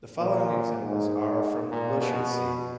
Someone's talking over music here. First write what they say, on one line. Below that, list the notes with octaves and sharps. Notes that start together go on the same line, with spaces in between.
The following examples are from Lushootseed.
A#2
G#2
A#2
B2